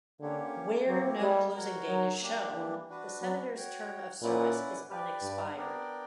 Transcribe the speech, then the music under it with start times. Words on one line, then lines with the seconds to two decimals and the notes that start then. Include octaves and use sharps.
Where no closing date is shown, the Senator's term of service is unexpired.
0.21 D3 A#3 C#4 G4 C#5
0.88 F#3 A#3 E4 G4 C#5
1.21 G3
1.55 F#4 A#4 C#5
1.88 F#3
2.21 A#3 D4 G4
2.55 E3
2.89 D4 F#4 B4
3.22 F#3
3.55 F#4 C#5 G5
4.22 A#2 C#4 E4 B4 D5 F#5
4.89 G4 B4 D5
5.22 G2
5.55 B3 D4 A#4 D5 G5